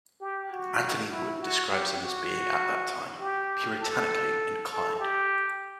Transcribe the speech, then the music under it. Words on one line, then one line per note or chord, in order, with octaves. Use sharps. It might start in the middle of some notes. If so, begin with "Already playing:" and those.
Anthony Wood describes him as being at that time "puritanically enclin'd".
G4
F#4
E4
F#4
G4
F#4
G4
A4
A4
G4